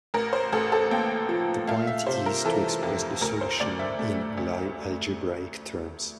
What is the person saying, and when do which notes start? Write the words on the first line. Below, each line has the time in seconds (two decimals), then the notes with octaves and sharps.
The point is to express the solution in Lie algebraic terms.
0.14 A1 A#4
0.33 C5
0.53 A1 A4
0.72 A4
0.91 A#3 G5
1.29 F3
1.68 A3 F5
1.87 E5
2.06 C3 C5
2.26 A#4
2.45 E3 A4
2.83 F2
3.21 D2 A#4
3.41 C5
3.60 D2 D5
3.79 E5
3.99 A3
4.38 D2